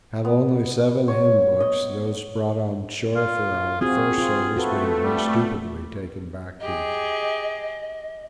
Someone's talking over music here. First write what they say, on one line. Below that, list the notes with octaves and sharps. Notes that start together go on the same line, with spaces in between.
Have only seven hymn-books, those brought on shore for our first Service being very stupidly taken back to the ship.
B3
C#5
D#5
F4
C4 F4 F#4 G#4
F4
A3 F#4 A4 B4
G3
G4 G#4 D#5